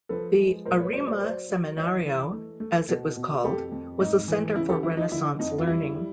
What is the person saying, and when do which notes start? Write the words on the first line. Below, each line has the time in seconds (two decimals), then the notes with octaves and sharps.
The "Arima Semenario", as it was called, was a center for Renaissance learning.
0.09 F3 A4 B4
0.37 G#3
0.66 A#2 A#4 C5
0.80 B4 C#5
0.93 F#3 C5 D5
1.07 C5 D5
1.21 F#3 C5 D5
1.49 F#3
1.77 E3 C#5 D#5
2.05 E3
2.32 A3
2.60 A3
2.88 B2
3.16 B2
3.44 F2 G4 A4
3.72 F2
4.00 G#2 D#4
4.28 E3
4.56 C#3 E4
4.69 G4 A4
4.83 F3 E4
4.97 D#4
5.11 D3 E4
5.39 F2 D#4
5.58 F4
5.67 G3 E4
5.94 G3